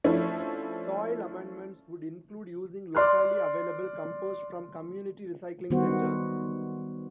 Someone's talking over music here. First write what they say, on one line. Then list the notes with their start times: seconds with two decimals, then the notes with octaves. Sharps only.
Soil amendments would include using locally available compost from community recycling centers.
0.04 F3 A3 C#4 D4 E4
2.95 D5 C6 F6 F#6
5.70 D#3 G3 B3 F#4 C5